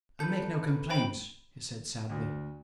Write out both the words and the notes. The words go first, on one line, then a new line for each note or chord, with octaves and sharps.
"I make no complaint," he said sadly.
A4 B4 G6
D#3 B4 C5 G5 B5
D2